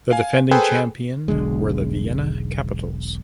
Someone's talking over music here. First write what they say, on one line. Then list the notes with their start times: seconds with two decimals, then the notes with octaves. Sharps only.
The defending champion were the Vienna Capitals.
0.11 F5 G#5
0.51 G#4 A4 B4 C5 G5 G#5
1.28 E1 B1 D3 G#3